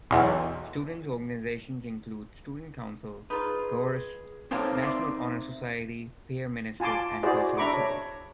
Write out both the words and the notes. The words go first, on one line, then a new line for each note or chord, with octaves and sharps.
Students organizations include Student Council, Chorus, National Honor Society, Peer Ministers, and Cultural Tours.
B1 E2
D#4 F4 G#4 B4
C4 D#4 G4 A4 A#4 C#5 F5
D5 E5 C6
F4 G#5 A5 C6 D6
E4 F#4 G#4 C5 D5
D4 E5 A#5 B5 C#6 D6
C#5